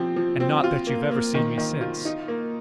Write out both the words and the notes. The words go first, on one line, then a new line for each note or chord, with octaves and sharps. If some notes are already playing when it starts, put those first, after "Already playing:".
"And not that you've ever seen me since?"
Already playing: F3 C4 G4
F3
C4
F4
A#3
A#3
D#3
D#3
F4
D#4
A#3